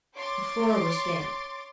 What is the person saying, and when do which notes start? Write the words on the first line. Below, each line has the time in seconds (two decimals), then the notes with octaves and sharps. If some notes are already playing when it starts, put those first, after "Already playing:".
The floor was damp.
0.16 C#5 C6 D6 A6